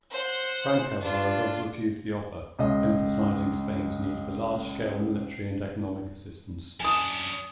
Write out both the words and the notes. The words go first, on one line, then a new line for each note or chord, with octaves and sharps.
Franco however refused the offer, emphasizing Spain's need for large-scale military and economic assistance.
C5 F#5
D4 F4
C#2 D#5
F#2 D4 G#5 D#6